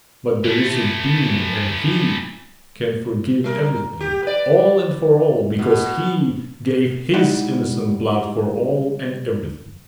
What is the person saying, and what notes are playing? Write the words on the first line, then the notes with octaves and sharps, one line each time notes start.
But there is a Being and He can forgive everything, all and for all, because He gave His innocent blood for all and everything.
E3 A3
G3 A#4
G4
B4 D5
B2
G3 G#3 D#4 E4 D5 F#5